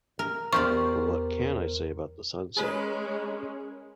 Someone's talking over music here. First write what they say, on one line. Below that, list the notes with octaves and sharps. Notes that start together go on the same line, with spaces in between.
But what can I say about the sunset?
A#4
E2 F4 G4 A#4 C5 D5 C#6
G#3 C#4 G#4 A#4 B4